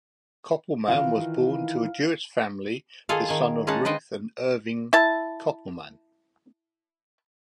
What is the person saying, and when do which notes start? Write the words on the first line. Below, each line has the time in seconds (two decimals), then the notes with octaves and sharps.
Koppelman was born to a Jewish family, the son of Ruth and Irving Koppelman.
0.88 D#3 E3 F4 F5
3.09 D#3 F4 G#4 A4 F5
3.28 D#3 G#4
3.67 G#3 C#4 D#4 F5 F#5 A5
3.85 B4 C5 D#5 G5
4.93 E4 A5